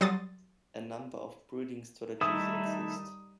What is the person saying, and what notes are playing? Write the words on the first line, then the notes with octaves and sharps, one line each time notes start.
A number of breeding strategies exist.
F#3 G3 C6 D#6 A6
D#3 G3 A3 D#4 E4 D#6